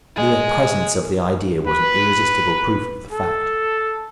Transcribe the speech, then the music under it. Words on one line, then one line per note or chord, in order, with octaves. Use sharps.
The mere presence of the idea was an irresistible proof of the fact.
G#3
B4
A4